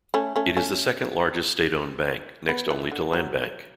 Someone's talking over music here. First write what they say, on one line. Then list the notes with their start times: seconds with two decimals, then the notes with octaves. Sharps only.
It is the second-largest state-owned bank, next only to Landbank.
0.14 A3 C#4
0.36 A3 C#4
0.57 A3 C#4
2.49 B3
2.71 E3
2.92 D3
3.13 F#3